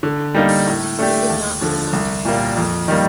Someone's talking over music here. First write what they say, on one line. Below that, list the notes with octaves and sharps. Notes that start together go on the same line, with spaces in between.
He did not survive.
D3
G3 A#3 D#4
A2
A3 D4 G4
D#2
D3 F3
C2
A#2 G3 A#3
F2
D#3 G3 A#3